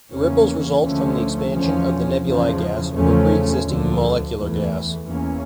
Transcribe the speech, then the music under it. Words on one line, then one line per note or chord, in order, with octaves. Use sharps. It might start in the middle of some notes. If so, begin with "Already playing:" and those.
The ripples result from the expansion of the nebulae gas over pre-existing molecular gas.
E2 C#3 E3 A#3 C#4
D2 D3 F3 A3 C#4
E2 D3 F3 C#4
E2 C#3 F3
E2 C#3 F3 A3 C#4
D2 D3 F3
E2 E3 A3
E2 E3 A#3 C#4